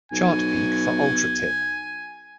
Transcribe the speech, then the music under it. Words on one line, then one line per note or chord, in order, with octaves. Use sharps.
Chart peak for Ultratip.
B1 G#5